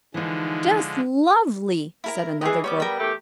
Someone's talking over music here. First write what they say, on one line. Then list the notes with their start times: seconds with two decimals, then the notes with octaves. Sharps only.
"Just lovely!" said another girl.
0.14 D3 E3 F3 G#3 D#4
2.04 E4 A#4 A#5
2.41 E3 G#4 D#5
2.64 G3 B3 C#5 C#6 D6
2.80 A#4 G5
2.99 E2 A3 G4